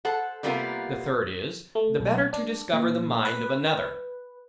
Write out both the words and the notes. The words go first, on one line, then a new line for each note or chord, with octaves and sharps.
The third is, the better to discover the mind of another.
A4 C5 F#5
C3 G3 A#3 B3 F4 A#4
A3
B1
D4
A#2
B4